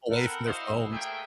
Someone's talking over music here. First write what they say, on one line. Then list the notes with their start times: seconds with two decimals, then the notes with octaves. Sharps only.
away from their phones,
0.11 C4 A4 A#4 F#5 B5
0.45 E4 F#4 C5 D#5 F5
0.91 A3 A#3 G#4 E5 G5